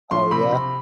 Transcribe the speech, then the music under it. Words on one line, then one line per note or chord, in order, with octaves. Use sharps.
Oh, yeah?
F3 C6
C3 B5
C3